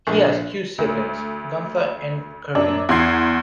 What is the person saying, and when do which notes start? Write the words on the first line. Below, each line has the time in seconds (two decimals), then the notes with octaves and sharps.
He has two siblings, Gunther and Karine.
0.07 A#1
0.78 D2
2.55 F#2 D4
2.89 E2 F#5 C6 G#6 C7